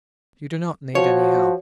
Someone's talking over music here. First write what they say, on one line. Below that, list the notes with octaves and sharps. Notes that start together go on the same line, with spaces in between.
You do not need any help.
F3 F#4 C#5